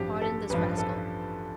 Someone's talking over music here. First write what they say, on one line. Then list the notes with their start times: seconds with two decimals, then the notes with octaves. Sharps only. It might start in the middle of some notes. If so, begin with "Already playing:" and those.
"Pardon this rascal?"
Already playing: A1 G2 F3 C4 G4
0.22 A4
0.50 A1 G2 F3 B4
0.78 A4